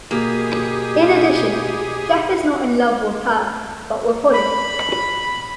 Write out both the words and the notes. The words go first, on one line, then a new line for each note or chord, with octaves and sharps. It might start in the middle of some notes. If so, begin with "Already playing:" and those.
In addition, Jeff is not in love with her but with Holly.
B2 A#3 G4 G#4
B5